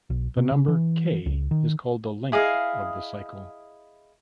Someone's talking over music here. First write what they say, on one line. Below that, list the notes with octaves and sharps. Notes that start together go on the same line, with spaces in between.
The number "k" is called the "length" of the cycle.
B1
C3
C#3
E3
C#2
D#3
E4 G#4 D#5 F5